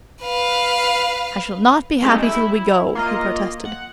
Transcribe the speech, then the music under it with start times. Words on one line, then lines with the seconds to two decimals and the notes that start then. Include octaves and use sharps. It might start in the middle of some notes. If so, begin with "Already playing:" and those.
"I shall not be happy till we go!" he protested.
0.23 B4 F5
2.02 G#3 A3 C4 D#4 E4 G4
2.22 E4
2.95 A#3 F4 D#5
3.65 F#5